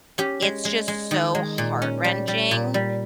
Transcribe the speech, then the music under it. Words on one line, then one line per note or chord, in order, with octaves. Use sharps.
it's just so heart-wrenching,
C#4 G4
G#3
G#3
G#3
D#3
G#3
A#2
C#4
G3
G3
A#2
G3